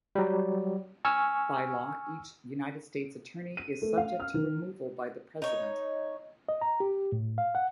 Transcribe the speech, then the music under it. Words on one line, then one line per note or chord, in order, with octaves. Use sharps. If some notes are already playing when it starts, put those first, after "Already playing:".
By law, each United States attorney is subject to removal by the President.
F#3 G3
G#5 C#6 E6 F6
D#7
A3
F5
F6
D#3
D#4 C#5
D#5
A#5
G4
A2
F5
F#5